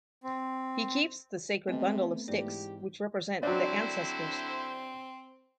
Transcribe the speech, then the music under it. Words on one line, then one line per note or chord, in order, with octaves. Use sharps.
He keeps the sacred bundle of sticks which represent the ancestors.
C4
C3 A3 B3 C4 D#5
G#2 E3 G4 D5
D3 F#3 C4 D4 E4 C5